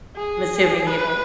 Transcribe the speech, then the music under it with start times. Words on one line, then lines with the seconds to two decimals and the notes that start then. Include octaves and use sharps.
I'm assuming you don't
0.17 G#4
0.87 B4